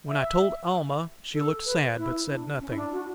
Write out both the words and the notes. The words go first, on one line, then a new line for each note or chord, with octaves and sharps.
When I told Almah, she looked sad, but said nothing.
E5
A4
B4
E4
D4
C#4
E4
D4
F#4